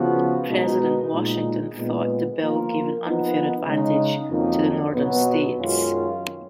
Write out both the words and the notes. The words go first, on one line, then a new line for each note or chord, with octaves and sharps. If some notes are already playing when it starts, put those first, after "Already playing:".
President Washington thought the bill gave an unfair advantage to the northern states.
Already playing: C#3 F3 B3 F#4
B2 G#3 B3 D#4 A#4
A#2 G#3 D#4
A#2 G#3 B3
F3 A#3 F4 A#4
F3 B3 D#4
C#3 G#3 D#4
F2 D#3 F#3 A#3 D#4
B2 F#3 B3
F#2 D#3 G#3 C#4 F4